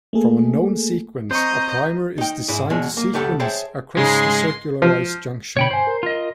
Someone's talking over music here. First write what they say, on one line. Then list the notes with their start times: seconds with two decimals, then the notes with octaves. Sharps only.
From a known sequence, a primer is designed to sequence across the circularised junction.
0.13 A3 A#3 G#4 A4
1.31 C4 C5 D#5 A#5 C#6
2.18 D#4 G5
2.48 G#2 E4 G#4
2.70 E2 B2 G#3
2.97 A#3
3.14 C#2 A3 G4 A4 F#5
3.40 G#4 C5 C#5 E5 G5 A5
3.97 G#2 C#3 G#3 G#4 C6
4.82 F3
5.57 B2 D3 C#5 G5 B5
5.71 G2 C5 G#5
5.87 A#4
6.03 F4 D#5